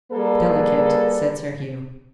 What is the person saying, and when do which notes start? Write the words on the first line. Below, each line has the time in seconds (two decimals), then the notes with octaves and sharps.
"Delicate!" said Sir Hugh.
0.12 G3 A#3 G#4 A4 B4 D5